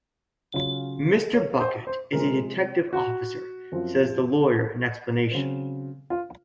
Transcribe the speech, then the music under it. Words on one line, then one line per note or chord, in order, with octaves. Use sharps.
Mr. Bucket is a detective officer, says the lawyer in explanation.
C#3 F#3 C#4 F4
C#5
C5
C5
C3 F3 G#3 C4 A#4
F#4
F#2 F3 C4 F4
C#3 F#3 C4
F4